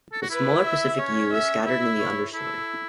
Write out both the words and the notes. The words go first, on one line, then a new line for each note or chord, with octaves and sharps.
The smaller Pacific yew is scattered in the understorey.
A4
F#4
E4 B4
E5
C#4 C#5
E5
E4 E5
C#5
E4 A4